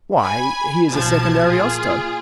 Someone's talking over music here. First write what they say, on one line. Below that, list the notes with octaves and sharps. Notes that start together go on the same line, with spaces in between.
"Why, he is a second Ariosto."
G#5 B5
B1 F3 A5 G#6
A#2 F4 G#4